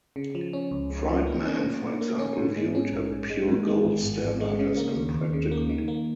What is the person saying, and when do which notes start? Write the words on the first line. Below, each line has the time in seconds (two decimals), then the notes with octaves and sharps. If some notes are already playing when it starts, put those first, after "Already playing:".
Friedman, for example, viewed a pure gold standard as impractical.
0.16 C#3
0.35 F3
0.53 C#4
0.71 C#2
0.90 C#3
1.09 F3
1.27 A#3
1.45 C#4
1.64 A#2
1.82 A#2
2.01 A#3
2.19 C#4
2.38 G#2
2.57 G#3
2.75 C#4
2.92 A#1
3.12 G#2
3.30 G#3
3.48 G#2
3.67 G#3
3.85 G#1
4.04 G#1
4.22 G#2
4.41 G#3
4.59 C#3
4.77 A#3
4.96 D#2
5.15 D#2
5.33 C#3
5.52 A#3
5.70 D#3
5.88 A#3